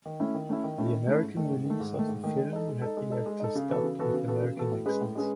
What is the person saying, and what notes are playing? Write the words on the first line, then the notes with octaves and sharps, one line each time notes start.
The American release of the film had the actors dubbed with American accents.
D#3
A3 C#4 E4
D#3
A3 C#4 E4
D#3
A3 C#4 E4
D#3
A3 C#4 E4
G#2
D#3 A3
G#2
D#3 A3
G#2
D#3 A3
G#2
D#3 A3
G#3
D#4 A4
G#3
D#4 A4
G#3
D#4 A4
G#3
D#4 A4
C#3
E3 B3 F#4 A4
C#3
E3 B3 F#4 A4
C#3
E3 B3 F#4 A4
C#3
E3 B3 F#4 A4
A2
G#3 C#4 G#4 B4
A2
G#3 C#4 G#4 B4